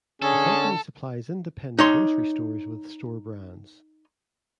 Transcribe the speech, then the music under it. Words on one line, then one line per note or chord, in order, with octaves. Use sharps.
The company supplies independent grocery stores with store brands.
D3 C#4 G#4 A4
D#4 C#5 C6